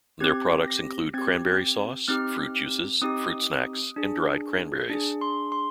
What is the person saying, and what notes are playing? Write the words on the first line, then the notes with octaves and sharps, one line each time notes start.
Their products include cranberry sauce, fruit juices, fruit snacks, and dried cranberries.
C4 G4 G#6
A#6
C4 G4 G#6
C4 D#4 G4 F6
C4 D#4 G4 D#6
D4 G#4
D4 G#4
C6
C6